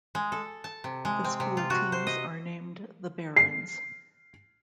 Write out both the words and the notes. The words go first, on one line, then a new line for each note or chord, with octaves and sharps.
The school teams are named the Barons.
G#3
A4
A5
C3
G#3
C4
C3
F4
F#4
C5
D#5
C7